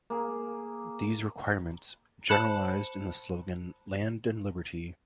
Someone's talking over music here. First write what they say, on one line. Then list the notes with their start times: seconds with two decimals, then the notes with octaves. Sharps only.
These requirements, generalized in the slogan Land and Liberty!
0.10 A#3 G#4
2.28 C5 A5 B5 F#6 C#7 F#7